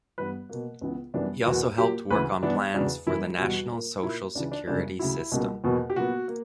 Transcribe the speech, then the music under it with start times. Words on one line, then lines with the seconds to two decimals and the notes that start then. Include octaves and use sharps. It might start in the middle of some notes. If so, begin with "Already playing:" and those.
He also helped work on plans for the national social security system.
0.18 G2 E3 G3 B3 B4
0.49 B2 A#3
0.81 C#2 C#3 E3 B3
1.14 F#2 E3 G3 B3 D4
1.46 E2 B2 F#3 A#3 F#4
1.78 A#2 F#3 A#3 G4
2.10 D2 C#3 E3 B4
2.42 G2 E3 B3 D4
2.74 E2 C#3 F#3 D4
3.07 F#2 E3 G3 A#3 E4
3.39 E2 B2 G3 F#4
3.71 A#2 A#3
4.03 A#2 A#3 E4
4.35 C#2 C#3 E3 D4
4.52 D4
4.67 F#2 C#3 G3 A#3 D4
4.99 D2 C#3 F#3 E4
5.32 C#2 B2 G3 A#3
5.64 E2 B2 F#3 A#3
5.90 G4
5.96 A#2 F#3 B3 F#4
6.28 A#3